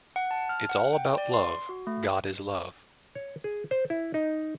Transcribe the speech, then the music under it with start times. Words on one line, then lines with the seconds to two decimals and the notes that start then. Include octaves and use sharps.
It's all about love - God is love.
0.16 F#5
0.31 A5
0.49 F6
0.69 F#5
0.93 G5
1.18 D5
1.33 C6
1.69 F#4
1.87 A3
3.15 C#5
3.44 G#4
3.71 C5
3.90 E4
4.14 D#4